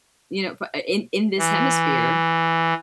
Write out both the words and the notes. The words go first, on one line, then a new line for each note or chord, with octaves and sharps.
you know f in in this hemisphere.
E3